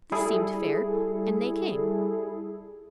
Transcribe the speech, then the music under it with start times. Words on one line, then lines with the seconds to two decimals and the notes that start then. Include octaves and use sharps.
This seemed fair, and they came.
0.12 G3 E4 G#4 A4